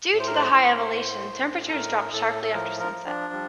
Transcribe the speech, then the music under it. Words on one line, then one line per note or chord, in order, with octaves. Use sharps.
Due to the high elevation, temperatures drop sharply after sunset.
A2
C5
A#4
C5
A2
A2
A2
A4
A2 A#4
A2 A4
A4
F3 A#4
A#4
F3
D4
G3